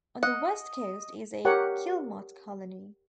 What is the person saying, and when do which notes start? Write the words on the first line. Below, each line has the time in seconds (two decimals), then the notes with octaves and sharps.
On the west coast is a guillemot colony.
0.23 D#5 F#5
1.45 G4 A#4 C#5 F#5